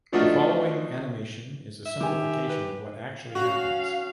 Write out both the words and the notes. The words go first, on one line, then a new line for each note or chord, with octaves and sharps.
The following animation is a simplification of what actually happens.
F3 A3 D4 D#4 F4 F#4
E5
D#3 G4 G#5
B4
C#4 F#4 F5